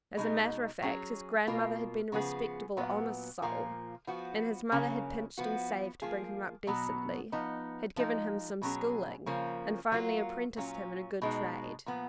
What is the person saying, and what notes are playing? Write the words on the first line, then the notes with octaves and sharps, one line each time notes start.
As a matter of fact, his grandmother had been a respectable, honest soul, and his mother had pinched and saved to bring him up decently, had given him some schooling, and finally apprenticed him in a good trade.
B2 G#3 D#4
F#3 C#4 G#4
B2 A#3 F4
C#3 F3 B3 F4 G#4
A#2 F#3 B3
A#2 F3 A#3
F3 B3 F#4
C#3 F#3 A#3 C#4
F3 B3 F#4
F3 A#3 F4 G#4
B2 F#3 B3
F3 B3 D#4
F3 G#3 D#4
B2 F#3 C#4 G#4
C#3 F3 A#3 C#4
F#3 A#3 F4
A#2 F#3 C#4 F4
B2 G#3 D#4
A#2 F3 B3